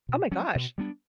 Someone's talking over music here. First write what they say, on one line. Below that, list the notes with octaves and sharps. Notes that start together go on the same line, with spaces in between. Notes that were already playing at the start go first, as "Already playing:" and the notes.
Oh my gosh!
B2
F#3 C#4
B2
G3 B3 D4